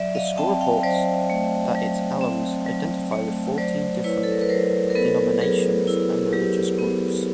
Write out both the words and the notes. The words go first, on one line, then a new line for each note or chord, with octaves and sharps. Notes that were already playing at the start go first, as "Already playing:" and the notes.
The school reports that its alums identify with fourteen different "denominations and religious groups".
Already playing: F#3 D5 E5
D#5 F5
C4 G5 A5
F5 G5
F#3 C5 D5
A3
F#3
C4
F#3
A3
F#3 C5 D5
E4 B4 C#5
A4
A#4
B4
F#3 A#4 C5
A#4
B3 A4 B4
F#3 G#4 A#4
E4
F#3 G4
B3